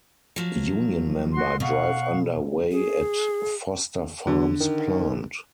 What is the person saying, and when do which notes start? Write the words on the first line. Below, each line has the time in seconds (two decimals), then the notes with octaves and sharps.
Union member drive under way at Foster Farms plant.
0.36 F3 F#3
1.33 F#4 C6
1.60 B2 F5 F#5 C#6
2.71 G#4
4.27 D3 F#3
4.60 D#3